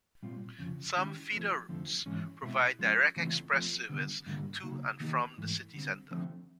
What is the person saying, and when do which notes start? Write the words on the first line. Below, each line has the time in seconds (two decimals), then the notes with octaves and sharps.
Some feeder routes provide direct express service to and from the city centre.
0.23 A#2 G3 C4 F4
0.58 F2 C#3 F3
0.96 D#3 G#3 C#4 E4 G4
1.32 F3 A3 C4
1.69 F2 D3 F3 A3 C4
2.06 G#2 E3 G#3 C#4
2.42 B2 G#3 C4 E4
2.79 F3 G#3 C#4
3.16 C#3 E3 A3 C4 F4
3.53 F3 A3 C4
3.89 D3 G3 B3
4.26 G2 D3 G3 A#3
4.63 C#3 F#3 A#3 D#4
5.00 D#3 F#3 A#3 D#4 G4
5.38 G#2 E3 A3
5.74 D3 G3 C4
6.11 D3 F3 A3 C4